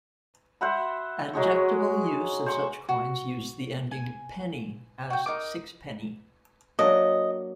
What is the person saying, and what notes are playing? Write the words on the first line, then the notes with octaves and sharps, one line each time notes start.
Adjectival use of such coins used the ending -penny, as "sixpenny".
C5 E5 F#5 B5
F#3 G#3 G#4 C#5
C5 C#6
F#4
G#5
F#4 G5
D#4 A#4 D6
F#3 A#3 D4 D#5